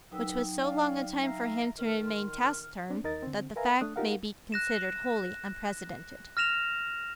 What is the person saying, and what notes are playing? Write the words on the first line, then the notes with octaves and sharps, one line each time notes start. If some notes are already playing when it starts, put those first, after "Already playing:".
Which was so long a time for him to remain taciturn, that the fact may be considered wholly unprecedented.
C2 F#3 D#4 B4 G5 E6
D5 F5
E5 F5 A#5
D#3 F6
C6
C4 D4
D#2 D#4 A#4 D#5 A6
D3 C4
A#4 B4 E5 F5 G#5 A#5
A3 D4 D#6 F#6
D#4 F4 G4 A#4 F5 F#5
F#6 A#6 E7
F6 A#6 E7 F7